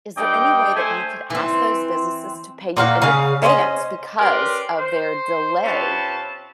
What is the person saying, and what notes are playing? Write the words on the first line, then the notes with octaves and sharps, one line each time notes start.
is there any way that you could ask those businesses to pay you in advance because of their delay,
G2 D5 D#5 G5
A3 C5 G#5
E3 C4
A#2 F#4 F5 G5
C#3 G#4 F5
C#4 C5 C#5 D#5
C#4 G4 A#4 B4 D5 C6
C5
C3 C4 C#4 F4 B4 A5